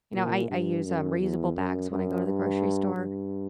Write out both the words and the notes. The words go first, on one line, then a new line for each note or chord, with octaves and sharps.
you know, I I use, um, reusable bags when I go to the grocery store
A#2
G2
F#2
E2
F#2
F#2
G2
G2